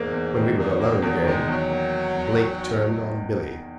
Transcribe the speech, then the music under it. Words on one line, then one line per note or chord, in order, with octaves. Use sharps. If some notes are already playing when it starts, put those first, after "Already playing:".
When we were alone again Blake turned on Billy.
Already playing: E2 G#2 A#3
E2
D#3
E2 A#2
B2 A#3
E2 F#3
D#3 G#3
E2 F#3
A#3